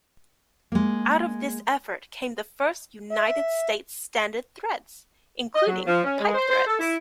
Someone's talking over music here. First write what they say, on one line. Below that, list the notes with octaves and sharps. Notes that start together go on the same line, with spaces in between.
Out of this effort came the first United States Standard threads, including pipe threads.
G#3 A#3
E5
D#5
F#3
F3
C#4
G#3
C5
C5
A4
E4